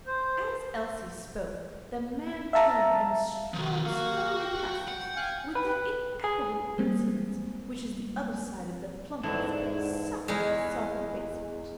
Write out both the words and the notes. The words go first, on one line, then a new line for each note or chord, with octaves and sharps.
As Elsie spoke, the man turned, and strolled slowly past us, with that ineffable insolence which is the other side of the flunkey's insufferable self-abasement.
C5
E5 F5 A5 A#5
D#3 F#3
A#3 F#4 F5
G5
F#5
F5 G5 G#5
B4
G#4
G3 G#3 A#3 C4
E2 G#2 D4 E4 A4
E2 G#3